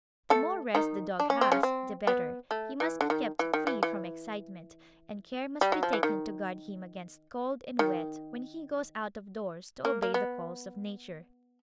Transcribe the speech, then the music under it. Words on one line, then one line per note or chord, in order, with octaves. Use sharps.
The more rest the dog has the better; he must be kept free from excitement, and care must be taken to guard him against cold and wet when he goes out of doors to obey the calls of Nature.
A3 A4
D#3 D#4
D4
C#4
C4
C#3 C#4
C4
B3
A3
E3
D3
D#3
E3
D#3
E3
E3
G3
F#3
F3
E3
D#3
D#3
A#3
A#3
B3